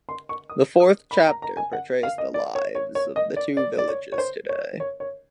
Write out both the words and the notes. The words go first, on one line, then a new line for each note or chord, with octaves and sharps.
The fourth chapter portrays the lives of the two villages today.
C6
C#6
D#6
D#6
B5
A#5
A#5
G#5
F#5
F5
D#5
D5
C#5
C#5
C#5
D#5
D5
D5
D5
C#5
C#5
C5
C#5
C#5
C#5